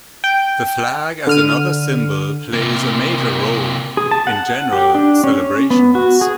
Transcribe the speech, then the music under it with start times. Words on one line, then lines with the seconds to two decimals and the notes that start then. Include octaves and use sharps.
The flag as another symbol plays a major role in general celebrations.
0.24 G5
1.27 D3 F6 D#7
2.52 C3 A#3
3.97 G#4
4.11 A5
4.27 F#5
4.73 G4
4.95 D4
5.24 C#4
5.70 B3
5.95 F#4
6.21 G#4